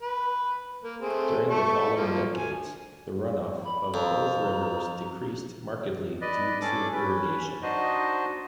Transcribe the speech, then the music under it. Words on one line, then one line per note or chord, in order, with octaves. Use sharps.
During the following decades, the runoff of both rivers decreased markedly due to irrigation.
B4
A#3
A3 C4 G#4
A4 E5 C#6
F3 A#3
G#5
B5
F2 A#5
B4 D5 D#5
C#4 D4 A4 D5 D6
C#4 B4
D4 D#4 F#4 C5 D#5